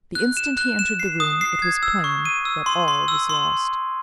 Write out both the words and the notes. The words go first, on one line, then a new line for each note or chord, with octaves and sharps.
The instant he entered the room, it was plain that all was lost.
F#6
E7
F#6
E7
C7
D#6
C7
G#6
E6
C#6
D#7
E6
C6
C6
E6
C6